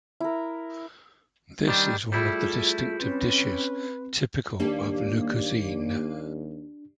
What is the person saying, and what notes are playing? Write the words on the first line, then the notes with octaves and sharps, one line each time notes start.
This is one of the distinctive dishes typical of Lu Cuisine.
E4 A#4
D#3 G3 D4
G3 A3 E4 F4 G#4
C4 C#4 B4
D#2 G3 A#3 D4